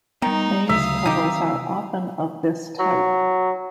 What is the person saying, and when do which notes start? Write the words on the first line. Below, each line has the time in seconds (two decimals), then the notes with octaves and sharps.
Maze puzzles are often of this type.
0.22 D#3 G3 B3 D#4
0.69 D2 C#3 F#3 D#4 E5 F5 D#6
1.06 C3 D#3 F#3 D#4 G4
2.79 F#3